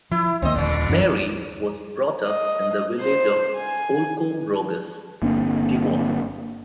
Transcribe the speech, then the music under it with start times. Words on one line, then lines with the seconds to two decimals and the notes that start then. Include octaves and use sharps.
Mary was brought up in the village of Holcombe Rogus, Devon.
0.11 F3 E4
0.42 C#2 D#3 A#3 C4 D#5
0.55 D#1 A#2 D3
0.89 F#2 E3 C#4
2.26 D#5
3.01 C5
3.56 G#5
5.22 G1 A#3 C4 D4